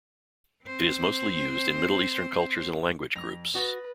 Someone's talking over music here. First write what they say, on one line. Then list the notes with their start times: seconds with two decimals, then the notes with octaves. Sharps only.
It is mostly used in Middle Eastern cultures and language groups.
0.65 C4 C5
3.15 F2 A#6 F7
3.55 F#4 B4 D#6 A6 A#6